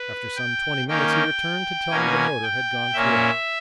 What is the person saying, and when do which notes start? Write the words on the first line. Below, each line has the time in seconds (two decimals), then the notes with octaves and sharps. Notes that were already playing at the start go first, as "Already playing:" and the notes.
After some twenty minutes he returned to tell me the motor had gone through.
Already playing: B4
0.36 G5
0.88 D#3 A#3 C#4 G5
1.90 B2 A#3 C#4 G#5
2.42 G5
2.93 A#2 A#3 C#4 E5